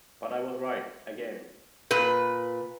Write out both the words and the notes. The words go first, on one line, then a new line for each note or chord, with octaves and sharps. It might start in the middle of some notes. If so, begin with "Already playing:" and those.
But I was right - again!
A#2 B4